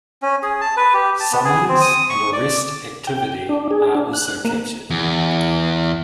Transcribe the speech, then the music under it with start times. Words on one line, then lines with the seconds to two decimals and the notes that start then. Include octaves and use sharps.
Summons and arrest activity are also captured.
0.22 C#4
0.43 G#4
0.61 A5
0.77 B4
0.94 G4
1.20 A5
1.32 B3
1.45 G#4
1.69 C4
1.81 D#6
2.09 C#6
2.33 D5
3.07 G5
3.49 D4
3.71 G#4
3.95 D4
4.13 F#6
4.45 A#3
4.90 E2